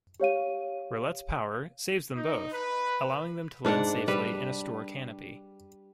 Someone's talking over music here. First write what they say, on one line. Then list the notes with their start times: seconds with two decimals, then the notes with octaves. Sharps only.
Roulette's power saves them both, allowing them to land safely in a store canopy.
0.20 G4 C#5 F5 D#7
2.15 D#4
2.52 B4
3.65 G#2 D4 D5 F#5
4.08 G3 B4